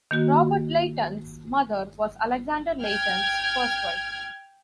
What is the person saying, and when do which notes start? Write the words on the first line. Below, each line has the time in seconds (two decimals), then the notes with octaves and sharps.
Robert Leighton's mother was Alexander Leighton's first wife.
0.11 D#3 A#3 F#4
2.83 G5 F6 G#6